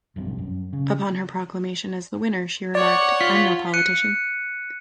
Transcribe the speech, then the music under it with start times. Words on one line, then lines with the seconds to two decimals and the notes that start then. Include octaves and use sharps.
Upon her proclamation as the winner, she remarked, I'm no politician.
0.16 F1 B1 G2 C3
0.38 F#2
0.73 C#3
2.75 C#5 D5 F#5
3.21 F4 B6
3.74 F#6 C#7 D#7